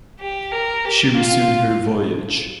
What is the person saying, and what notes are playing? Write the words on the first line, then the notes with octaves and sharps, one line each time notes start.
She resumed her voyage.
G4
A#4
G4
F4